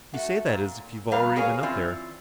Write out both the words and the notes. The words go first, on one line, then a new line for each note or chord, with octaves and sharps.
"You say that as if you've already been up there."
A3 F#4
A#2
F2 G3 A#4 B4 F5 A#5
F#4 G#4 A#4 C#5 F5 G#5
E3 C4 C#4 F4 D5